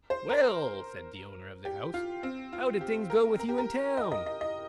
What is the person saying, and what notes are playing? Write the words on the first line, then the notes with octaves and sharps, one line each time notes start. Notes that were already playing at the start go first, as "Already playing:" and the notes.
'Well', said the owner of the house, 'how did things go with you in town?'
C5
A#4
G4
F4
C4
F4
G4
A#4
A#4
G4
A#4
D#5
D#5
D#5
D#5